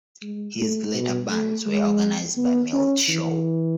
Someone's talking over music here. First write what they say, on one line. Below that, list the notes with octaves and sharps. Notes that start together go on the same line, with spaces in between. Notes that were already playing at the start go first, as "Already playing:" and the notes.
His later bands were organized by Milt Shaw.
G#3
A3
B2
A3
G#3
B3
C#4
E3